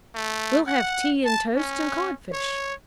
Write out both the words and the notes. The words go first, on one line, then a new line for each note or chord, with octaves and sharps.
"We'll have tea and toast and codfish."
A3
F#5
A5
C#4
C#5